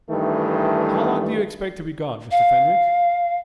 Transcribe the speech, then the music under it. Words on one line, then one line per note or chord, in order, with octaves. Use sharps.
"How long do you expect to be gone, Mr. Fenwick?"
G2 D#3 E3 A3
F5